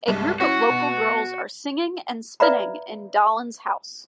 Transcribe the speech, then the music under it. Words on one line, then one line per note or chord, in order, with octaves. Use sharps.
A group of local girls are singing and spinning in Daland's house.
C2 G2 G#3
C#4 E4 F#4
B2
B4 D5 E5 F5 A#5 B5